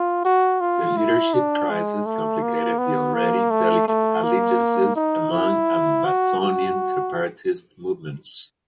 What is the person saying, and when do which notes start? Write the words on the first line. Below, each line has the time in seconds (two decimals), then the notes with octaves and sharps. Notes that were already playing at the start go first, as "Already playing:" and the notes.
The leadership crisis complicated the already delicate allegiances among Ambazonian separatist movements.
Already playing: F4
0.25 F#4
0.61 F4
0.97 E4
1.34 D4
1.70 G#3
2.06 A3
2.42 A#3
2.78 B3
3.14 A#3
3.50 A3
3.88 A3
4.23 A#3
4.96 D#4
5.31 E4
6.05 F#4
6.40 F#4